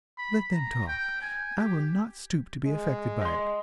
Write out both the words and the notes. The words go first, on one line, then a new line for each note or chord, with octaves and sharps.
Let them talk--I will not stoop to be affected by it.
B5
A#5
G5
G#5
G4
G#3
D#5 C6